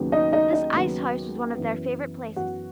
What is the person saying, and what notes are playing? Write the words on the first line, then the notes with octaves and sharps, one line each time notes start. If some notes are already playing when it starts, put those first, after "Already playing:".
This ice-house was one of their favorite places.
Already playing: D#2 C#3 F#3 B3
D#4 D#5
D#4 D#5
D#4 D#5
D#2 C#3 F#3 B3
F#2 E3 B3
F#2 E3 B3 F#4 F#5